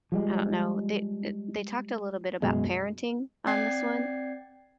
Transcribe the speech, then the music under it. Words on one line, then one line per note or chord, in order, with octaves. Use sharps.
I don't know they, e they talked a little bit about parenting on this one,
F3 G3 G#3
F#2 B2 G#3
C4 D5 G5 G#6 A6 C7